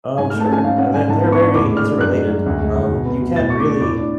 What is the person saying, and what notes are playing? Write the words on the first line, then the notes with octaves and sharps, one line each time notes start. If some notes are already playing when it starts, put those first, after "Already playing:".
Um, sure, they're they're very interrelated, um, you can't really
G#2 G#5
F6
A3
A5
C#4 G#5
G#2 F5
C#4 F#5
G#2 G#5
G#2 A5
B3
C#6
D4
A2 D6
G#3
F6
D4
F#2 F#6
G#3
F#2
D2
G#3
D2
B2
B3
B2
A2 A6
A3 C#6
D6
D4
A2 D6
D4